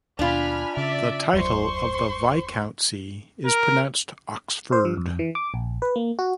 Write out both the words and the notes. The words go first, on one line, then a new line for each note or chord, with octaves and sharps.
The title of the Viscountcy is pronounced "Oxfurd".
D#2 B2 D4 F4 G#5 B5 F6
C#3 D5 E5
F#1 D#2 F#3 C5 C6 C#6
A#4
C5
F3
F2
E3
D6
A#1
B4
A#3
F#4